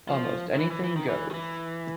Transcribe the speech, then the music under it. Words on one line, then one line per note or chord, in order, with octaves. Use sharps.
Almost Anything Goes!
F3
D#3
E3
E3
E3
D#3
E3
D#3
E3